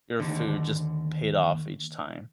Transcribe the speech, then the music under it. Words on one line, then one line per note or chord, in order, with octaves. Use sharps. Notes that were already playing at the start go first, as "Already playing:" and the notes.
your food just paid off each time.
D#2 D3